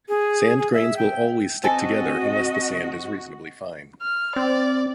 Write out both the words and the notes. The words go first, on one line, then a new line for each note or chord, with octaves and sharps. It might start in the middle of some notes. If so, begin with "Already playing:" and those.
Sand grains will always stick together unless the sand is reasonably fine.
G#4
G#4
E5
G5
C4 F#4 A4 D#5 G#5 A5
F6
C4 D5